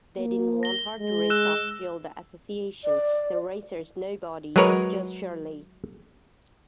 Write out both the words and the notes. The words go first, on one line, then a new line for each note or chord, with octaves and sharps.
They didn't want her to race Top Fuel, the association, the racers, nobody...Just Shirley.
A#3
A#6 G7
G#3
E6 F#6 E7
D5
F#3 G#3 G#4 A#4 B4 C#5